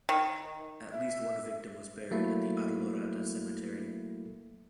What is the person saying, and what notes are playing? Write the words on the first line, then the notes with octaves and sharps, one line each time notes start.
At least one victim was buried at the Addolorata Cemetery.
D#3
E5
F#3 A3 A#3 E4